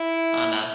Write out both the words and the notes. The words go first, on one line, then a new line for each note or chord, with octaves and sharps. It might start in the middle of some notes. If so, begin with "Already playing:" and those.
on a
Already playing: E4